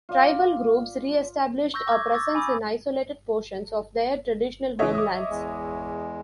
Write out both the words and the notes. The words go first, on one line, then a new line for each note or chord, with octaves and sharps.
Tribal groups reestablished a presence in isolated portions of their traditional homelands.
F4 D5
C#6 E6 G6 A#6
D6 G#6
C#6 D6 E6 A6
G#5 B5 D6 D#6
G#2 C#3 E3 C#5 D#5 E5
D6 D#6
E2 G#3